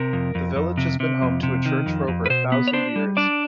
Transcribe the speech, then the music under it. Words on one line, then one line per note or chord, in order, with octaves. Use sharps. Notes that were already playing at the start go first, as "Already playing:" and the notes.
The village has been home to a church for over a thousand years.
Already playing: C3 A#4
F2
F2
F2
C3
C3
F2
C3
D#3
F2
F2
B4
B2 C5
B3
C#5
D4 C5
G3
D4 D5